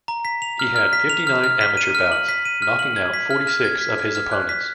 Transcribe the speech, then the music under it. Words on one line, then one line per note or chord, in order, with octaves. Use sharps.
He had fifty-nine amateur bouts, knocking out forty-six of his opponents.
A#5
B6
F7
F6
F6
B6
F7
F6
F6
B6
D#7
F6
F#7
B6
D#7
F6
F#7
G#6
B6
F6
F6
G#6
B6
F6
F6
F#6
B6